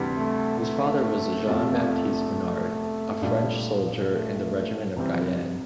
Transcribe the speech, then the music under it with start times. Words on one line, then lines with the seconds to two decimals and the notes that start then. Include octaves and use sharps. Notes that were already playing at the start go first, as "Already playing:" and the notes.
His father was Jean Baptiste Menard, a French soldier in the regiment of Guyenne.
Already playing: D2 C3 E3 G3 D4
0.17 A3
0.60 A3
1.47 F1 E2 C3 F3
3.21 A#1 A#2 G3 D4 G4
4.09 A3
4.96 C2 C3 E3 G3 C4
5.25 G2